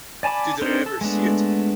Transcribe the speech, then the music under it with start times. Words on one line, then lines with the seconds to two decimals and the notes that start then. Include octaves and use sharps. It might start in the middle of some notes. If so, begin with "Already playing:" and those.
Did I ever see it?
0.23 D5 G#5 A5 B5 D6
0.62 C4 D4 D#4 A#4 C5
0.86 A4
1.01 G#3 A3 B3 D4